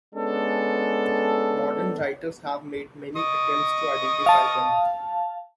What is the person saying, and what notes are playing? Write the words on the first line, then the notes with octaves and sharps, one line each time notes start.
Modern writers have made many attempts to identify them.
G#3 B3 C#4 D4 A4
D#5 C#6 D#6
F5 A5